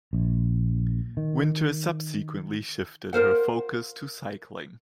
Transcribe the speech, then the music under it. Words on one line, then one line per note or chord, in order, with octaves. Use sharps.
Wynter subsequently shifted her focus to cycling.
A#1
D#3
F4 A#4 C5 F#5